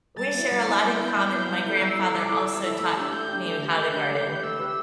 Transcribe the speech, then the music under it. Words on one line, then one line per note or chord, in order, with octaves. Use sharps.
We share a lot in common, my grandfather also taught me how to garden
G3 A6
B3 E4
G3
B3 E4
G3 G6
B3 E4
G3 G6
B3 E4
G3
E4 A4
G3 E6
E4
A4
G3 D6
E4 A4
G3 E6
E4 A4
A3
D4 G4
A3 G6
D4 G4
A3 G6
D4 G4
A3 G6
D4 G4
A3
G4 B4
A3 E6
G4 B4